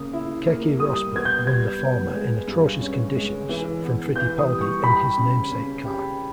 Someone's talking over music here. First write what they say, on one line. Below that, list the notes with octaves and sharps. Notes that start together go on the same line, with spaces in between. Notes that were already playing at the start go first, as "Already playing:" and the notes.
Keke Rosberg won the former in atrocious conditions from Fittipaldi in his namesake car.
Already playing: C#3 A#3 D#6
E4
A#3
G3 D#6
B3 G#6
G6
G3 G#6
B3
G#3
G2
C#4
G#3
E3
B3
E3 G6
D#6
G3
C#6
G4 B5
C#3
C#3
G4